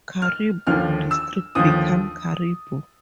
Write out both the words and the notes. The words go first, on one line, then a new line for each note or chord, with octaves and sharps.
Cariboo District became Cariboo.
F6
D#2 D3 F3 F6
E6
D#2 D3 F3 D#6